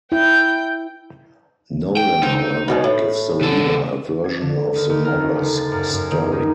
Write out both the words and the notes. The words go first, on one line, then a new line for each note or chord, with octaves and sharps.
Nolan however, gives the reader a version of the mother's story.
E4 G5 G6
G5
C4 D#4
B2 D#3 G#3
A2
C#3 A4
G#6
D3
D#2
D#2
A#4
A3
F#1
A6
F#2
F#2
D#3
D#4